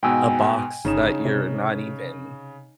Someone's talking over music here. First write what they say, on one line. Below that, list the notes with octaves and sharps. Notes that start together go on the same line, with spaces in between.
a box that you're not even,
G#2 B2 B3 G5 G#5 E6
G1 C#3 D#4 C#5 E7
C3